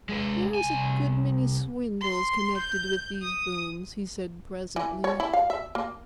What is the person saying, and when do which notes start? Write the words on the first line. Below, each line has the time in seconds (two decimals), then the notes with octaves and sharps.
"There's a good many swindles connected with these booms," he said presently.
0.09 G#3 B4
0.55 C2 G#5
2.01 C6
2.58 G6
3.22 D#6
4.76 E3
5.04 C#5
5.20 E4
5.33 F5
5.50 E5
5.75 A#3